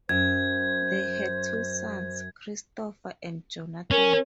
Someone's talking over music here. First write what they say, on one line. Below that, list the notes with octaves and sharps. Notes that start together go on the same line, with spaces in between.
They had two sons, Christopher and Jonathan.
F#2 C5 G#6
C#4 A#4